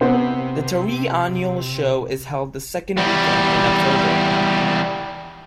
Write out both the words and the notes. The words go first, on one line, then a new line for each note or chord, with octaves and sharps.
The Taree Annual Show is held the second weekend in October.
C3 B3 C4 C5
E2 G3